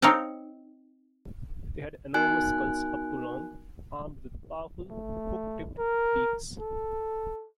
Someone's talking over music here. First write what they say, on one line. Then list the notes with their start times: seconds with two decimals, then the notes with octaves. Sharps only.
They had enormous skulls up to long, armed with powerful, hook-tipped beaks.
0.02 C4 D#4 C#5 F5 G5 A5
2.14 B3 D#4 F#4 A#4 G#5 F#6
4.90 A3
5.78 A#4
6.60 A4